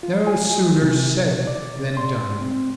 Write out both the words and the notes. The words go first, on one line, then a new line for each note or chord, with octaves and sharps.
No sooner said than done.
F4
G#5
C3
B2
D5
C6
C4